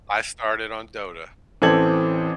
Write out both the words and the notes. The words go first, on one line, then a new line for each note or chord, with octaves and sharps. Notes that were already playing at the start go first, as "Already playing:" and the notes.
I started on Dota.
A1 E3 C4 A4 G#6 F#7